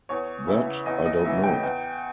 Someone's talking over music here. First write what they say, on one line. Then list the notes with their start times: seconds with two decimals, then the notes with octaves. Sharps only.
That I don’t know.
0.09 E2 C#5
0.47 C#3 E3 E5
0.86 E2 D#5
1.06 D#5
1.24 C#3 E3 E5
1.44 G5
1.63 E2